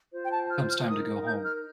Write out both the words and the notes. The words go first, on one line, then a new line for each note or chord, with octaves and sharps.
it comes time to go home.
F4 C5
G5
A5
F6
F6
D#4 A#4 D#6
G6
F6